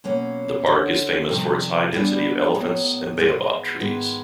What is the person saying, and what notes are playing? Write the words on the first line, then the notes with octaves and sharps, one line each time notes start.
The park is famous for its high density of elephants and baobab trees.
B2 F#3 A#3 C#4
F#2 D3 F#3
F2 C3 D#3 G3
E3 G3 B3 D4
A2 F#3 B3
G#2 E3 G#3 B3
G#2 D#3 G#3 B3